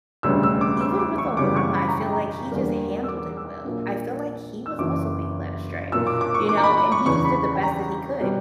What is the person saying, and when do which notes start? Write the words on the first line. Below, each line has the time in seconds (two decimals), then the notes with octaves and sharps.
even with Obama, I feel like he just handled it well. I feel like he was also being led astray, you know, and he just did the best that he could.
0.23 E1 D2 C#3 G3 B3 E6
0.43 E6
0.61 D6
0.81 E6
0.99 D6
1.18 C#6
1.37 F#2 C#3 E3 G3 B3 D6
1.56 C#6
1.75 B5
1.89 A#5
2.01 G5
2.13 A#5
2.51 E2 D3 G3 A#3
3.04 E6
3.08 D6
3.37 E6
3.64 A#1 A#2 F#3 A#3
4.66 E6
4.78 F#1 F#2 E3 D6
5.92 B1 A#2 A#3 E6
6.07 D6
6.21 D6
6.34 C#6
6.49 D6
6.57 A#5
6.63 B5
6.78 B5
6.92 C#6
7.06 E2 C#3 E3 B3 C#6
7.25 B5
7.44 B5
7.55 G5
7.63 A#5
8.20 B2 G3 B3